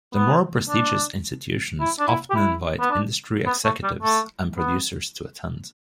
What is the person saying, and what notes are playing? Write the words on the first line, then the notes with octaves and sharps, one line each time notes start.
The more prestigious institutions often invite industry executives and producers to attend.
B3
D4
E4
D4
E4
G4
E4
B3
D4
B3
A3
G3
A3
B3